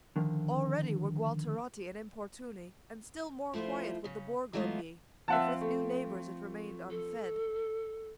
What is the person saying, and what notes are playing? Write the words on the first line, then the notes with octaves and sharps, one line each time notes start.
Already were Gualterotti and Importuni; And still more quiet would the Borgo be If with new neighbours it remained unfed.
D3 D#3 F3
F3 A3 E4 F4 C5
C#3 C#4
E3 F#3 G#3 A3 B3 F4
F3 C4 F4 E5 F#5 A5
A3
A4